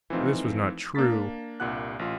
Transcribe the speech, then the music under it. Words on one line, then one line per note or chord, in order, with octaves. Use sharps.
This was not true.
E3 F3 A3 C4 D#4 F4
A#3 D4 A#5 A6 B6
C2 G2 A#2 F#5 F#6
A1 F4